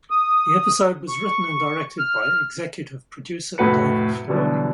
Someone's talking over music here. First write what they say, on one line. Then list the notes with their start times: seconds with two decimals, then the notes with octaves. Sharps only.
The episode was written and directed by executive producer Dave Filoni.
0.10 D#6
1.09 C#6
1.99 F6
3.58 F1 A2 F#4 B4 C#7
4.28 B2 D3 E3 F#3 G3